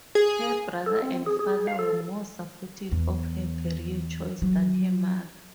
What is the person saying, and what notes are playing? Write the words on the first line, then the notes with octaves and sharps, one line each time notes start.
Her brother and father were more supportive of her career choice than her mother.
G#4
A4
C4
G#4
G#4
F5
A4
E2
F#3